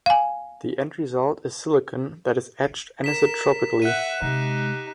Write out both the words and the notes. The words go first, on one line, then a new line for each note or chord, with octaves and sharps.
The end result is silicon that is etched anisotropically.
F5 G#5
A#4 B6 E7
E5 F#5 F#6 D#7
C3 G#3 D#4 G4